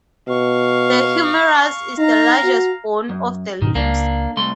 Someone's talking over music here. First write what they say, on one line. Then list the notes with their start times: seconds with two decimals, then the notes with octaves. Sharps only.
The humerus is the largest bone of the limbs.
0.28 B2 F5 C#6
1.98 D#4 F5 A#5
2.44 F#4
3.09 F#2
3.62 G#2 B2 D#3 C#4
3.75 C#2 A#3 D4
4.37 C2 A3 C6